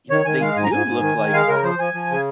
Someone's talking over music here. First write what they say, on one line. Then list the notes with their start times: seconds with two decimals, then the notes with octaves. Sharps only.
you know, they do look like
0.10 D#3 C#5
0.25 D#3 G#5
0.41 G#3 F5
0.56 G#2 G#5
0.64 A#5
0.71 G#2 G#5
0.87 G#2
1.02 D#3
1.18 D#3
1.33 G#3 F5
1.48 C#3 A#4
1.63 F3 C5
1.79 F3 G#5
1.94 F3
2.10 C#3